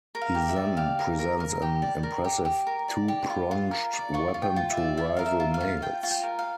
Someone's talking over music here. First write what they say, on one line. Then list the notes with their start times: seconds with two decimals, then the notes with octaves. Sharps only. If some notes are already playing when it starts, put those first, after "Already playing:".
He then presents an impressive two-pronged weapon to rival males.
0.15 A#4
0.21 F5
0.35 G4
0.49 E5
0.56 D5
0.77 G4 F5
0.99 A#4
1.19 A#4
1.40 A#4
1.62 G4 G5
1.82 D5
2.03 A#4
2.24 G4
2.45 G4
2.67 A#4
2.88 D5
3.08 G4
3.30 F4
3.51 F4
3.71 A#4
3.93 D5
4.14 F4 C#6
4.34 F4
4.42 G5
4.56 F4
4.70 E5
4.77 D5
4.97 F4 E5
5.17 A#4 F5
5.26 E5
5.40 F4
5.54 F5
5.60 F4
5.82 F4 G5
6.03 F4
6.10 G5
6.23 A#4
6.39 F5